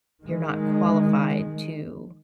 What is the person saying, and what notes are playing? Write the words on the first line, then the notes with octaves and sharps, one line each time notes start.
you're not qualified to
D#3 G#3